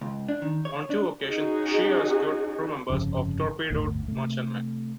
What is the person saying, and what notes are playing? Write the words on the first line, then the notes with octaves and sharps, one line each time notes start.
On two occasions, she rescued crew members of torpedoed merchantmen.
C#2
D4
D#3
C#5
D4
C#4 D#4 F#4 G#4
G1 F2 C#3
G1 D2 A2 D3
C3 A3